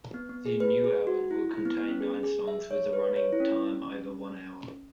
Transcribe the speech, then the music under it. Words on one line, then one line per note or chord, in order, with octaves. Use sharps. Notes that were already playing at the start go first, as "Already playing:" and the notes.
The new album will contain nine songs with a running time over one hour.
B3
B3
G#4
B4
G#4
F#4
E4
E4
B3
B3
C#4
G#4
G#4
E5
C#5
B4
C#5
E4
C#4